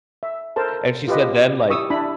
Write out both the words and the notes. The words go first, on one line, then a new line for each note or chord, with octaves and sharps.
And she said then, like,
E5
A4 A#4 C5 A5
F4 G4 B4 D#5
E4 G4 C#6 D#6 E6
D4 E4 B5